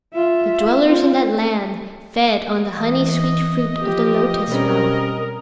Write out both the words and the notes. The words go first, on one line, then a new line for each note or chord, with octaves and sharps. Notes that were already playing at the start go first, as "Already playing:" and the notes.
The dwellers in that land fed on the honey-sweet fruit of the lotus flower.
F4 E5
C4 F4
E3 D#5
F3 G4
B2 G3 C4 C#4 A#4